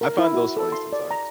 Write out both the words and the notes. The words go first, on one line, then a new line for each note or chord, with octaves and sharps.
I I find those funny sometimes.
A#4
E4
F#4
A4
C6
D5
A#5